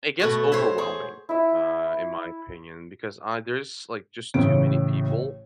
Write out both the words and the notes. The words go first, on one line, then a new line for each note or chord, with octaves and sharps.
it gets overwhelming, uh, in my opinion, because, uh, there's like just too many people
B2 A3 F#4
C5 C#5 E5
G#4
E4 E5
A1 A2 C#3 D7